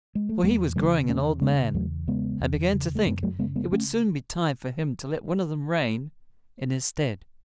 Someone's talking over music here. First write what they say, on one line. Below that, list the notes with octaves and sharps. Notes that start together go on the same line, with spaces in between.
For he was growing an old man, and began to think it would soon be time for him to let one of them reign in his stead.
G#3
A3
E2 G#3 B3
C#3 F#3 A3
E2 A3 C#4
C#3 G#3 B3
E2 F#3 A3
C#3 G#3 B3
E2
C#3
A3
F#2 G#3 B3
F#3 A3
C#3 G#3 B3
G#3 B3
A3 C#4